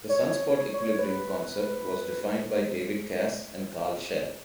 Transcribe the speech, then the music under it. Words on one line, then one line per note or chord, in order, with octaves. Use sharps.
The sunspot equilibrium concept was defined by David Cass and Karl Shell.
C#5
C#5
C#5
B4